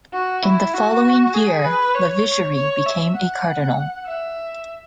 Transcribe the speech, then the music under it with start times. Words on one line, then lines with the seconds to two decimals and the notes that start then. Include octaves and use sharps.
In the following year, Lavigerie became a cardinal.
0.13 F#4
0.42 E4
0.74 F#4
1.34 G#4
1.65 B4
1.94 C#5
2.55 C#5
2.86 E5
3.16 F#5
4.07 E5